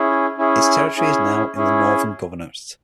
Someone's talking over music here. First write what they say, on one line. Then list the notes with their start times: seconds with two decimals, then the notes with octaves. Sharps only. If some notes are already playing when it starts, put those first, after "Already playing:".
Its territory is now in the Northern Governorate.
Already playing: C#4 E4 G#4
0.38 C#4 E4 G#4
0.97 C#4 E4 G#4
1.55 C#4 E4 G#4